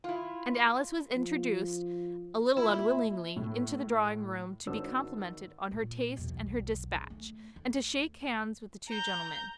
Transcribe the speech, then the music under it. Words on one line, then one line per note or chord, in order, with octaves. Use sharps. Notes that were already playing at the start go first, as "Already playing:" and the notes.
And Alice was introduced a little unwillingly into the drawing room to be complimented on her taste and her despatch, and to shake hands with the two gentlemen.
E4 F4
F3
A#2 E4
A2
G#1 D4 F#4 C5 C#5 E6
A#2
B1 E2
C#3
A3
D2
A#5 G6